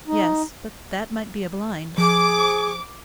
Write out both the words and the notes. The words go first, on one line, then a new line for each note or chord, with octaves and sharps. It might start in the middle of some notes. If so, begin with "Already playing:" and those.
"Yes; but that might be a blind."
D#4
F3 G#4 D6